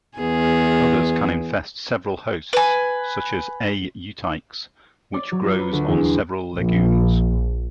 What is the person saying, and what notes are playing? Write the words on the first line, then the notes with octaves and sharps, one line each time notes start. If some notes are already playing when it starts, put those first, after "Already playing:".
Others can infest several hosts, such as "A. euteiches", which grows on several legumes.
E2 B3 G#4
B4 G#5
D5
F#3
F4
B4
D2
E2
C6
A#1